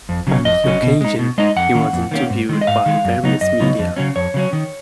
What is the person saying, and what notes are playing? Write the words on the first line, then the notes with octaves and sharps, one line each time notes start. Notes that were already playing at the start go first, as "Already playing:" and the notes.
On the occasion, he was interviewed by various media.
F2
C#3 F#3 C#4
F2 D#5
C#3 F#3 C#4
B2
G#3 D#4
B2
G#3 D#4 D#5
F2 F#5
D#3 A#3 C#4
F2
D#3 A#3 C#4
G#2
D#3 G#3
D#5
G#2 F5
D#3 G#3
F#2
C#3 F#3 B3 D#4
F#2 D#5
C#3 F#3 B3 D#4
F2
C#3 F#3 C#4
F2 C#5
C#3 F#3 C#4
D#3